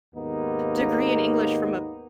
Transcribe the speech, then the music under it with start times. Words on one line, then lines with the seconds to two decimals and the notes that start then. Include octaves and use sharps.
degree in English from a p
0.15 D#2 G#2 A#3 B3 D#4